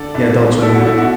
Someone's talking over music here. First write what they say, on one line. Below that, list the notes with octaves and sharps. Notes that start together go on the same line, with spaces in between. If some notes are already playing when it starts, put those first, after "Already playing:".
Yeah, Adult Swim, yep.
Already playing: D3 A4 D5
B1
B2
B1 E4 A4
F#4
B2 E4
F#4